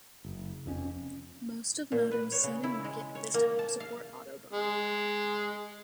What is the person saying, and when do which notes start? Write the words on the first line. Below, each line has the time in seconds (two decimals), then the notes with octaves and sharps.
Most of modems seen in market at this time support autobaud.
0.25 F#1
0.66 F1 F2 C#4
1.92 A#2
2.11 B4
2.32 C#5
2.44 C#3
2.63 E4
2.84 G#3
3.15 C#5
3.34 A#3
3.59 A5
3.80 F5
4.53 G#3